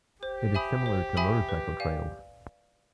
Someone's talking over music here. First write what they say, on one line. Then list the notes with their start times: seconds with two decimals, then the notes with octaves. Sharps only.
It is similar to motorcycle trials.
0.23 G4 C5
0.55 E5 G#5 B5 D#6
0.86 C5
1.17 E5 G#5 B5 D#6
1.49 B4
1.80 D5 F5 G#5